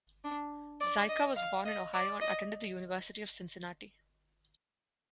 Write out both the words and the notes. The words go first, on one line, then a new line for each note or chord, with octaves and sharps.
Zika was born in Ohio and attended the University of Cincinnati.
D4
D5
D#5
F5
D#5
D5
D#5